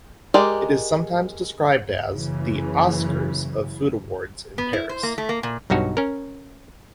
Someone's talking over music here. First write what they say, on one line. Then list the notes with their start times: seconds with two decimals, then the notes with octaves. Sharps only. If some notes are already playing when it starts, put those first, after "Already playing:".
It is sometimes described as the "Oscars of food awards in Paris".
0.34 G#3 G4 A#4 D5
2.11 F#1 C#3 E3
4.58 B3
4.73 E4
4.89 C5
5.03 A#3
5.18 A3
5.29 A#3
5.43 A#2
5.70 B1 G2 D#4 F#4 C#5
5.97 C#4 A#4